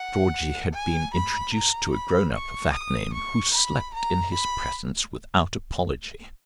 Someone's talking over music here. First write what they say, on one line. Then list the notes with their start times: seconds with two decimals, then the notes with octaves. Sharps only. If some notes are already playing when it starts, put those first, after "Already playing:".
Georgie had been introduced to a grown-up of that name, who slept in his presence without apology.
Already playing: F#5
0.73 G#5
1.14 B5
1.54 A#5
1.93 B5
2.34 C#6
2.73 D#6
3.13 C#6
3.54 B5
3.94 A#5
4.33 B5